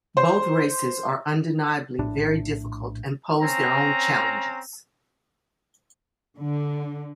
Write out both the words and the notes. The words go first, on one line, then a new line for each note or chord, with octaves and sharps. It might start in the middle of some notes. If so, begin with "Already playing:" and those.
Both races are undeniably very difficult and pose their own challenges.
C5
A#1 A2 D4
C4 C#4 A#5
D3